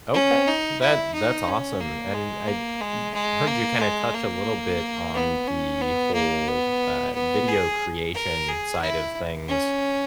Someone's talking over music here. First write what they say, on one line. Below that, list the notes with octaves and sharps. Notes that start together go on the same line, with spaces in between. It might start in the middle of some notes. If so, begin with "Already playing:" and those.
Okay, that that's awesome, and I, mm, heard you kinda touch a little bit on the whole, uh, video creation side of things.
C#4
D#4
E4
D#4
C#4
A#3
G#3
A#3
G#3
G#3
A#3
G#3
A#3
B3
C#4
B3
A#3
B3
B3
G#4
A#4
G#4
E4
C#4